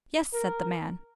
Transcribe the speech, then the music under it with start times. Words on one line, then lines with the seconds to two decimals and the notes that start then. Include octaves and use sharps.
"Yes," said the man.
0.34 A#4